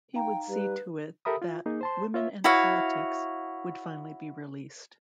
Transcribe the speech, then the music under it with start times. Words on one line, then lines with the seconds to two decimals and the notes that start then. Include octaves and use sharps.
He would see to it that "Women and Politics" would finally be released.
0.15 D#4 F5 G5 A#5
0.49 G3 B4
1.25 G4 A4 A#4 E5 B5 D#6
1.42 F4
1.66 A#3 D#4 G#4
1.81 C5 A5 C6
2.14 F4 C#5 E5
2.44 E4 F#4 C#5 F5